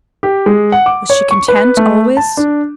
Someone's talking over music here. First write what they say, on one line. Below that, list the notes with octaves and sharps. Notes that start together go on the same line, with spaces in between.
Was she content, always?
G4
G#3
F#5
D6
C#5
C#6
B4
A3
A5
D4